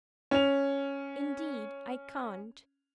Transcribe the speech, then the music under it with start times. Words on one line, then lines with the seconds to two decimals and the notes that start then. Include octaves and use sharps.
'Indeed, I can't.
0.31 C#4 F7